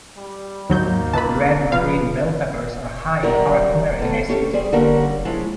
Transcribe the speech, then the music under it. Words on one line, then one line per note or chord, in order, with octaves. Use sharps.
Red and green bell peppers are high in para-coumaric acid.
G3
D#2 G#2 F#3 A#3 G6
C#2 B4 A5 B5
F3 B4 F5
F#2 G3 A#4 D5 A#5
B2 A3
C#4 G4 A4
G3 G#4 C5 D5
D3 G3 A#3 C#4 A#4
F3 G#3 C#4 E4